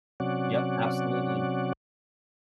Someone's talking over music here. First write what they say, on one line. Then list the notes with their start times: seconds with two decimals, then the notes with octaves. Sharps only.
Yup, absolutely.
0.20 C3 F#3 C#4 D5 F#5